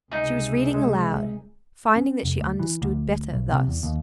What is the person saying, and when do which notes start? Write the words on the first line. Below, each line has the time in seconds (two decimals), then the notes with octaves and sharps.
She was reading aloud, finding that she understood better thus.
0.11 C#2 C3 D#4 G#4 E5
0.74 G#3
1.96 C#4
2.23 F1
2.40 D2
2.59 E3
2.82 D2
3.32 B1
3.51 C3
3.67 E2
3.83 D#2